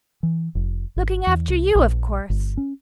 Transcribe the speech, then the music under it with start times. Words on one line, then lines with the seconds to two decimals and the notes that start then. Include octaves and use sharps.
"Looking after you, of course."
0.23 E3
0.55 F1
0.96 G#1
1.27 E2
1.49 C2
1.75 A#1
2.30 G1
2.57 C#4